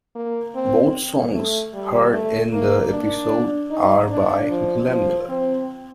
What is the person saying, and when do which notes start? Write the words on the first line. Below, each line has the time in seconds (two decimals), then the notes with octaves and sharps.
Both songs heard in the episode are by Glenn Miller.
0.15 A#3
0.55 C4
1.34 A3
1.73 G3
2.13 A3
2.52 A#3
2.91 D4
3.70 D#4
4.11 D4
4.49 F3
4.89 F3
5.29 C4